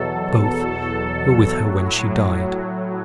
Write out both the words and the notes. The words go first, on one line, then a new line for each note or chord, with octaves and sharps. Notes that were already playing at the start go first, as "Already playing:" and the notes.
Both were with her when she died.
Already playing: E2 B2 F#3 A4
A4
A2 F#3